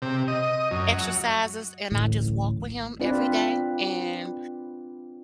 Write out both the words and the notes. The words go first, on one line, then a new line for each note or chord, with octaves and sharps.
exercises and I just walk with him every day and
C3
D#5
F#2
F#3
D1 A1 A2
C4 D4 F4 B4 D5